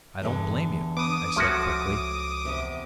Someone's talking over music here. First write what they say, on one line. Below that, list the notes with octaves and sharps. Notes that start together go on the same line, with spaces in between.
"I don't blame you," I said quickly.
E2 G2 D3 E3
B3 D6 D#6
C#2 F3 A3 C#4 F#4
E2 C3